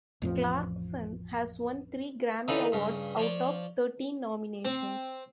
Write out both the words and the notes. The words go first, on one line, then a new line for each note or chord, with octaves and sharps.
Clarkson has won three Grammy Awards out of thirteen nominations.
A1 F2 F3
D3 E3 D#4 F4 A4 B4
G2 C#3
F3 C#5 D5
C4